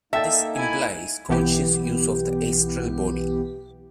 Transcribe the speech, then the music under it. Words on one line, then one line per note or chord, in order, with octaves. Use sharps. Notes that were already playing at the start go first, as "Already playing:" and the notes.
This implies conscious use of the astral body.
A#3 D#4 A4 E5 G5 A6
E4 G#5
B1 E3 B3 G4